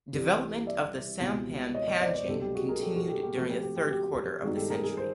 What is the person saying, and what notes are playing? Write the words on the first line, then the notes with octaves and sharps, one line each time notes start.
Development of the sampan panjang continued during the third quarter of the century.
C2 C3 E3 G3
D5 E5
C#2 B2 G3 C4 E4
C#5 D#5
C#5 D#5
C5 D5
C5 D5
C2 B2 F#3 A#3 D4 G4 A4
G4
F#4 G#4
G#4 A#4
G4 A4
F#4 G#4
G4 A4
G4
C3 F3 A3 F#4
G4
G4
G4
F#4
G4
G2 D#3 G#3 B3 D#4 F#4 G#4
G4 A4
G#4 A#4
G#4 A#4
A#4 C5